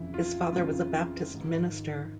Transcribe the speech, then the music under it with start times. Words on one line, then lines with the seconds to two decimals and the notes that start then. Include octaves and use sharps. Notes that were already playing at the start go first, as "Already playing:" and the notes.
His father was a Baptist minister.
Already playing: F2 C#3 E3 E4
0.14 F4
0.52 F2 C#3 E3 F4
1.30 G#2 D#3